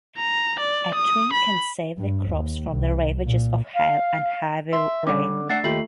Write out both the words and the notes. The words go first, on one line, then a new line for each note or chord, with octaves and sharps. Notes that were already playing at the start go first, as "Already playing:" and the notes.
A twin can save the crops from the ravages of hail and heavy rain.
A#5
D5
D#6
B5
G2
D#2
C2
A#2
F5
E5 C6
D3 G3 C#4 D6
A3 D4 E5 F#5 A6 C7
D#2 A3 F4 G4 C7 F#7